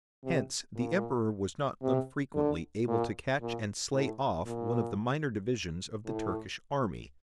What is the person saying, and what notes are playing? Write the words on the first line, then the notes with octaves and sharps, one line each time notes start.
Hence the Emperor was not unfrequently able to catch and slay off one of the minor divisions of the Turkish army.
C3
A#2
C3
D3
A#2
A#2
A2
A#2
A2